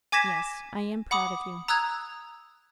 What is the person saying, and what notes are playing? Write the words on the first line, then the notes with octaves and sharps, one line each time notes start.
"Yes, I am proud of you."
G#5 D6 G#6 A#6 B6 E7
F#5 B5 D6 D#6
A#5 D#6 E6 F#6 G#6